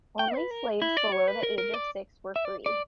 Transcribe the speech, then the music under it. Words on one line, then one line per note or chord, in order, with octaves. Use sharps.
Only slaves below the age of six were freed.
G5
B4
A#4
E4
D5
C#5
B4
A#4
A#4
D5
E5
D5
D5